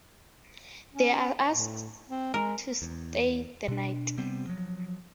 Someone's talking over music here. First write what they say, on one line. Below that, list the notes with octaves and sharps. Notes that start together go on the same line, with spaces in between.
They are asked to stay the night.
C#4
A2
C4
G#3 A#4
E2
B2 D4
C3 G3 B3 C4
F3 F#3